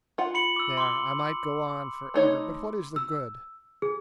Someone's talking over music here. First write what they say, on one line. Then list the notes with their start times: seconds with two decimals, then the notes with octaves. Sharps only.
There, I might go on for ever, but what is the good?
0.18 F4 F#5
0.34 B5 C#7 F#7
0.56 D6 E6
0.77 C6 D6
2.14 A3 D#4 C#5
2.96 E6
3.82 G#4